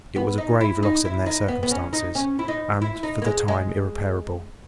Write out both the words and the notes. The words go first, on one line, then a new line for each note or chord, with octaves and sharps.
It was a grave loss in their circumstances, and for the time irreparable.
B3
D#4
E4
D#4
E4
D#4
B3
B3
C#4
D#4
C#4
E4
D#4
E4
D#4
A#3
G#3
G#3